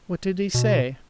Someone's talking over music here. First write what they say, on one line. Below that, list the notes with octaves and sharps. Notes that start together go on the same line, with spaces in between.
"What did he say?"
B2